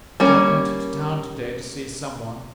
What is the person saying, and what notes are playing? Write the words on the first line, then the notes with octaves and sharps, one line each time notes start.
Jack went to town today to see some one.
G3 A#3 C#4